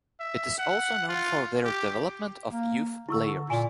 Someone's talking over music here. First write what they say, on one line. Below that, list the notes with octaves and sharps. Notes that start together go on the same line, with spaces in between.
It is also known for their development of youth players.
E5
F#5
F4
G4
A#3
D3 E4 C#6 E6
A#2 G#5